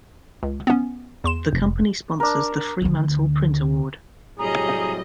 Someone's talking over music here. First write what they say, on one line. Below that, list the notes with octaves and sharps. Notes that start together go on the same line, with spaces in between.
The Company sponsors the Fremantle Print Award.
C#2
B3 C#4
E2 C6 E7
F1
D4 A#4
D2 D3
A2 C3 F#3 G3 G#4 D#5 A#5